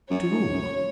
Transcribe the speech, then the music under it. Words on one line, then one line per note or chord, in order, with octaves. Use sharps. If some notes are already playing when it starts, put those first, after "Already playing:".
"To whom?"
F#2 C#5
G#2
F#2